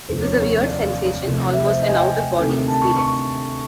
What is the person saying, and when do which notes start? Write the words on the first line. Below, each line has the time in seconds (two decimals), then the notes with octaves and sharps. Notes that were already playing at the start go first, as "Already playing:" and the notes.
It was a weird sensation, almost an out-of-body experience.
0.09 F1 D#2 D3 F3 C5
0.22 C#5
0.38 C#5
0.66 D5
0.80 F5
1.24 C2 C3 F3 A3
1.53 E5
1.66 C5
1.82 D#5
1.89 G#5
1.96 G5
2.10 G#5
2.38 D2 C3 D#3
2.68 A5
2.82 C#6
2.96 C#6